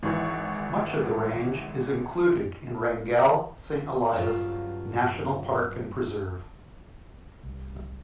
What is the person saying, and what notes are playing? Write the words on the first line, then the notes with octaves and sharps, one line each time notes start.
Much of the range is included in Wrangell-Saint Elias National Park and Preserve.
G#1 E3 C#6
G2 C#3 F#3 F4 A5
C2